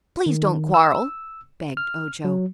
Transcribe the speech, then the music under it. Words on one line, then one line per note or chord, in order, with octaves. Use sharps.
"Please don't quarrel," begged Ojo.
D#3
E6
F6
F#3